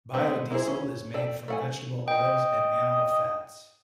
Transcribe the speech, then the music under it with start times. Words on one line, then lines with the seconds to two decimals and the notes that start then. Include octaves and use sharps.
Biodiesel is made from vegetable oils and animal fats.
0.14 G#3 A3 B3 C4
0.51 A#3 E4 F4 G#4 C5
0.67 C#4
1.14 A4 D5 G5
1.48 A3 F#5 G#5
2.08 D#5 G5